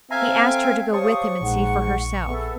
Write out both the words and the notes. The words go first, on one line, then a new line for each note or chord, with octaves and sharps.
He asked her to go with him and see for herself.
C4 A4 E5 F5 G5 G#5 A#5
G4 C5 C#5 F5 A5 C#6 D#6
A#1 G#2 F#5
B3 G#4 A4 E5